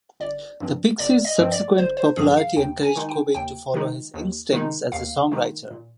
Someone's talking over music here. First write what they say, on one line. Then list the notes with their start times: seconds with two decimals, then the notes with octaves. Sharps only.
The Pixies' subsequent popularity encouraged Cobain to follow his instincts as a songwriter.
0.20 G1 D5
0.60 G2 F3 C4
0.99 G1 D5
1.25 D#5
1.38 G2 F3 C4
1.52 D5
1.78 G1 C5
1.97 C5
2.16 G2 F3 C4 G#4
2.37 F5
2.56 D#2 G5
2.83 G#5
2.96 D#3 G#3 D#4
3.09 G5
3.35 D#2 G5
3.74 D#3 G#3 D#4
4.14 D#2
4.53 D#3 G#3 D#4
4.92 D#2 F5
5.32 D#3 G#3 D#4
5.71 A#2